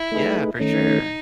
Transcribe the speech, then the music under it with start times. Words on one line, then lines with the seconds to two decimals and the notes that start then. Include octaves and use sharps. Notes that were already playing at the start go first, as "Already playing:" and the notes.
Yeah, for sure.
Already playing: E4
0.12 A3 D#4 G#4 B4
0.60 D#3 A3 C#4 D#4